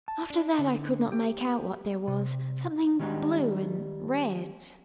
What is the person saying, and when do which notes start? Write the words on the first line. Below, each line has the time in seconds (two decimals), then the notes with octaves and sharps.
"After that, I could not make out what there was; something blue and red..."
0.08 A5
0.30 D4
0.59 D3
1.12 G4
2.07 C3
2.99 D#3 G3 G#3 D4 D#4 F#4